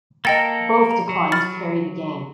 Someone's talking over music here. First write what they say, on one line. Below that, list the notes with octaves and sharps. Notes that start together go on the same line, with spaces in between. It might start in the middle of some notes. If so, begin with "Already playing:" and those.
Both declined to carry the game.
A#3 A4 A#4 D#5 G5 A6
A#5
F#3
B5 F6 A6